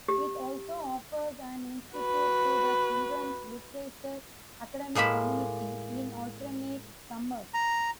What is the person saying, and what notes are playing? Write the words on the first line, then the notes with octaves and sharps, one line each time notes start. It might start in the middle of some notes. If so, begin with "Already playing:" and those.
It also offers an institute to the children's literature academic community in alternate summers.
G4
F#4 B4
A2 G#3 A#3 E5 B5
A#5